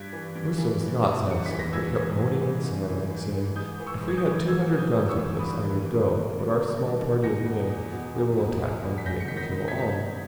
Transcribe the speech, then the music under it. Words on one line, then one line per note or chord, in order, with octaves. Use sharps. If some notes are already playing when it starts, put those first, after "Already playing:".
Musa was not satisfied, but kept moaning and sorrowing, saying, "If we had two hundred guns with us I would go; but our small party of men they will attack by night, and kill all."
Already playing: G2 G#6 B6
E3
G2
E3
G2
E3
G2 C#7
E3 B6
A#6
G#2 E6 G#6
E3
G#2
E3
G#2
E3
G#2
E3
G#2 D#6 G6
E3
C#6 E6
G#2
G#6
D#6 G6
E3
G#2 E6 G#6
E3
D#6 G6
G#2
C#6 E6
E3
G2 B5 D#6
D#3
G2
D#3
G2
D#3
G2
D#3
E2 A#6 C#7
B2
E2
B2
E2
B2
E2
B2
B6
G#2 G6 A#6
C#7
D#3 B6
G6 A#6
G#2
G#6 B6